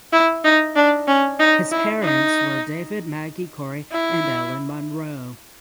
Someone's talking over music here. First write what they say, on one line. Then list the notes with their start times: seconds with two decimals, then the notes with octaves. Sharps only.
His parents were David Magie Cory and Ellen Monroe.
0.13 E4
0.44 D#4
0.76 D4
1.08 C#4
1.39 D#4
1.72 E4
2.03 D#4
3.92 E4